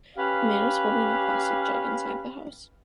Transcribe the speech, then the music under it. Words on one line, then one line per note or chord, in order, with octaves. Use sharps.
A man is holding a plastic jug inside the house.
C#4 G4 B4 F5